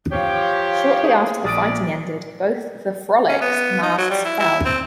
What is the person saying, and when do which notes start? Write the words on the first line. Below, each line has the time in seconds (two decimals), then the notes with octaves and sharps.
Shortly after the fighting ended, both the "Frolic"s masts fell.
0.12 F3 G4 C#5 F5
1.04 G#4
1.44 A#1 D5 D#6 D7
3.28 C#4
3.41 B3
3.82 D#4
3.98 F#3
4.10 G3
4.25 E4
4.39 E4
4.65 C4